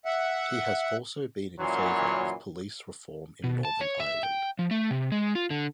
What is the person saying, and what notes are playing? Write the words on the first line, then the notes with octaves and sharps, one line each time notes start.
He has also been in favour of police reform in Northern Ireland.
E5 F#5
F#2 A#2 E3 F#3 C#5 C6
B2
A5
C#5
E5
G5
F3
A3
C3
G#3
F4
D3